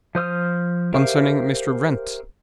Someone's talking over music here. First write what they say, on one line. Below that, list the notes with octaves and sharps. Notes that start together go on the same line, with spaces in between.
"Concerning Mr. Wrent."
F3 C5 D#6 F6
G4 A#4 C5 E5 F5